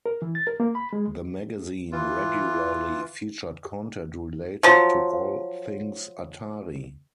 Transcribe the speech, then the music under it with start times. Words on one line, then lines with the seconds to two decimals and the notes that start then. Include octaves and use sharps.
The magazine regularly featured content related to all things Atari.
0.06 A#4
0.22 E3
0.35 A6
0.47 A#4
0.60 A#3
0.75 B5
0.93 G#3
1.92 E3 F4
4.63 F3 F#3